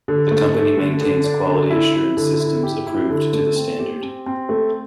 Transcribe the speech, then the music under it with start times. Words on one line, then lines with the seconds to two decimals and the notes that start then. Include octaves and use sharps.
The company maintains quality assurance systems approved to the standard.
0.08 D3
0.31 A3
0.54 A3
0.77 D3
1.01 D3
1.24 D4
1.47 D3
1.70 E4
1.94 E4
2.17 D3
2.40 E4
2.63 G4
2.87 E4
3.10 D3
3.33 A3
3.56 C4
3.79 G4
4.03 C4
4.26 C4
4.49 A3